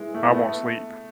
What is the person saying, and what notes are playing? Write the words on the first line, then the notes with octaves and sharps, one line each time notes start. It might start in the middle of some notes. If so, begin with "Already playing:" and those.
I won't sleep.
Already playing: E3 G#3
A3
B3
A3